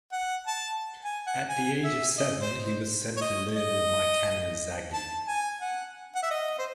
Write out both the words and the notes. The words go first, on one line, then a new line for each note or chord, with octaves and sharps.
At the age of seven, he was sent to live with Maikano Zagi.
F#5
A5
G#5
F#5
G#5
E5
D#5
C5
C5
C#5
D#5
D#5
A5
G#5
F#5
F#5
E5
D#5
C5